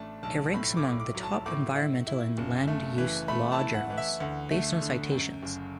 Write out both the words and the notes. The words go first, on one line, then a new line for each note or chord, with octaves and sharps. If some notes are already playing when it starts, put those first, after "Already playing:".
It ranks among the top environmental and land use law journals based on citations.
Already playing: A1 A3 D4 A5
B1 A5
A2 B5
D6
A2
D6
F#3
A5
A2 D6
E4
E4
F#1
A3
E3
A3 B5
A5
E4
F#5
E3
E5
D2 F#5
A3
D3
F#2
F#1